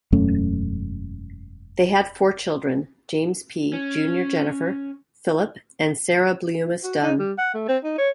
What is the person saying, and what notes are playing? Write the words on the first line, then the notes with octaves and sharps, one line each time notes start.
They had four children: James P., Junior Jennifer, Philip, and Sarah Bliumis Dunn.
E1 F#2 A3 C#4
C#4
F#4
D#4
G3
F#5
A3
C4
D#4
C#5